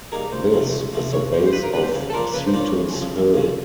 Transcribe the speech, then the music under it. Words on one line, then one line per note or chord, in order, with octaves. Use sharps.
This is the base of Cetus Hill.
G3 A#3 D#4 G#4 A#4
C#2 C5
C3 F3 A3
C#2
C3 F3 A3
G2 C#5
D3 G3 C5
C5
G2 B4
A#4
D3 G3 B4
C5
C#3
A4
F3 A#3 D4 F4 A#4
C#3 B4
C5
F3 A#3 D4 F4
C#5
E2
C#3 F3
E2
C#3 F3